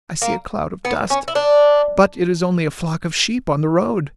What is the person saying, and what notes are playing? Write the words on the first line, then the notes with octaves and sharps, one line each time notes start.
"I see a cloud of dust, but it is only a flock of sheep on the road."
A#3
B3
C#4
E4
D4